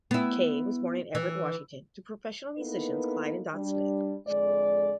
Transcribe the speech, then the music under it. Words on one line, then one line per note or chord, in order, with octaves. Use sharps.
Kaye was born in Everett, Washington, to professional musicians Clyde and Dot Smith.
B3 E4
E3
A#3 B3 D#4 E4 A4 B4
G3 D4
F2 D3 G#3 D5